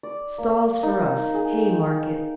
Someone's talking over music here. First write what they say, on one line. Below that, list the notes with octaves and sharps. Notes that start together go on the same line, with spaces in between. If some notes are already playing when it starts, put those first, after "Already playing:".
Stalls for us, Haymarket.
D5
A#3
D#4
G#4
G5